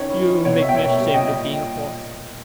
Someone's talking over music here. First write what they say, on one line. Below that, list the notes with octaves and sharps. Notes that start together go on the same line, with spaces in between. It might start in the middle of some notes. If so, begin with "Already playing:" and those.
You make me ashamed of being a horse.
Already playing: D#3 C#4 C#5
E4
D#3
B2 C#5
B2 E5
G5
A#3 C#5 E5
G3
A#2 D#5 G5
A#2